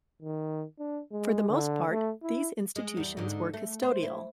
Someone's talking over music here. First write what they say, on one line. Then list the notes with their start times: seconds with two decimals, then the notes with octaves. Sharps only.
For the most part, these institutions were custodial.
0.22 D#3
0.79 D4
1.12 G#3
1.50 D3
1.90 A3
2.23 E4
2.76 G#3
2.97 E2 G3
3.17 G#2 D3
3.54 A3
3.83 C5
4.03 E4